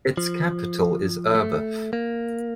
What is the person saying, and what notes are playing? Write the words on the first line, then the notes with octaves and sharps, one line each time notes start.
Its capital is Urbeth.
F3
A3
A#3